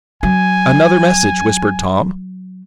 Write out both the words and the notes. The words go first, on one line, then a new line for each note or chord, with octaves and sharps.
"Another message," whispered Tom.
F#3 G#5